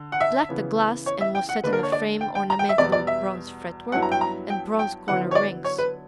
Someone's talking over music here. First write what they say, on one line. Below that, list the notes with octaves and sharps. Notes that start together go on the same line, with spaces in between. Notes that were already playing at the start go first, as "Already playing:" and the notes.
It lacked a glass, and was set in a frame ornamented with bronze fretwork and bronze corner rings.
Already playing: D3
F#5
E5
C#3 E3 B3
C#5
E5
G5
F#5
D3 A#3 D4 B4
A#4
C#5
D5
G5
G5
A#5
G5
E5
E2 B2 G3 B3 D5
D5
E5
G2 F#3 B3 E4 F#5
A#5
G5
A#5
G5
G5
D3 F#3 B3 E4 F#5
C#5
D5
C#5
B4